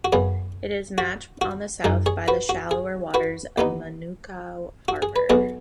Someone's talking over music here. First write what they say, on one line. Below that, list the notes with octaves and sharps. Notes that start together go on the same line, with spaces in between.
It is matched on the south by the shallower waters of Manukau Harbour.
F#4
F#2 C#3 B3 G#4
F#4
F#4
F#2 F#3 D#4 G#4
G#4 C#5
F#4 B4
F#4
G#4
F#4 B4
D#2 D#3 B3 D#4
F#4
G#4
B4
B1 B2 B3 G#4 C#5